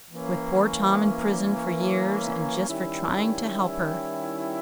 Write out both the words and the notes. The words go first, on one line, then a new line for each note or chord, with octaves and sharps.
"With poor Tom in prison for years--and just for trying to help her."
E3 A#3 C#4
D#3 G3 C#4 E4